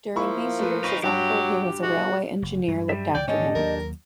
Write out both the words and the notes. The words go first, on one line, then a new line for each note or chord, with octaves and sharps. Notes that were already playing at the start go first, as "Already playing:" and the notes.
During these years his uncle, who was a railway engineer, looked after him.
F3 A#3 E4 B5 C#6
A3 B4
D#4 B4 C#6 C7
G2 F#3 F#4 G4
G#3 F#4
F#1
G2 F#3
G3 E5
C#2 E3 D5 G5
G#2 E3 A#3 C#4 D4 G4 A4 D#5
D#2 F#3 A#3 A#4